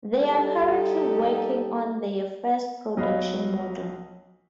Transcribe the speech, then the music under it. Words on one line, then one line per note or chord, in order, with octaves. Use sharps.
They are currently working on their first production model.
G3 D#4 G4 A4
B1 F#3 D#5 F5 B5